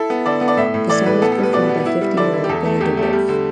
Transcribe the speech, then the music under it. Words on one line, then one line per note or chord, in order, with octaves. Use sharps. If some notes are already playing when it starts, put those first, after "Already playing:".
The song was performed by fifty-year-old Billy De Wolfe.
Already playing: E4 A4
B3
D3 D5
B3
D5
A2 E5
A2
E3 D5
A2 B4
B3 A4
A4
G3
B4
B2 D5
B3
E4
G3
D3 D5
E4
G4
E2 A4
A3
E2 G4
A3
G4
G3
D3